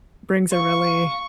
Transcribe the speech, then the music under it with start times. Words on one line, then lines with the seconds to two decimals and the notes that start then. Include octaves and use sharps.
brings a really,
0.52 F5 C#6